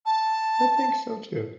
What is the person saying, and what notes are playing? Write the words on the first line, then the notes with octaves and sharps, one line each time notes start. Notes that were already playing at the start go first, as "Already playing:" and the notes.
I think so too.
A5